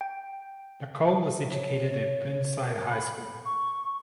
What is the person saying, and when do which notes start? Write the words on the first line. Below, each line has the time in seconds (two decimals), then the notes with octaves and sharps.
Nicole was educated at Burnside High School.
0.01 G5
1.53 C#5
1.90 C#5
2.44 C#5
2.67 A#4
2.91 B5
3.45 C#6